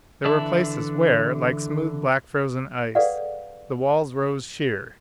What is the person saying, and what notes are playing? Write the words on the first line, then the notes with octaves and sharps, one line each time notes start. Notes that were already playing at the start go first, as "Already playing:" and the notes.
There were places where, like smooth black frozen ice, the walls rose sheer.
D3 E3 D5 E5 A5
G#4 A4 B4 D5 F5 F#5